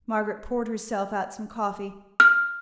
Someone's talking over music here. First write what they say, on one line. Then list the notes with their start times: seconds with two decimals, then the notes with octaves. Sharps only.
Margaret poured herself out some coffee.
2.20 F6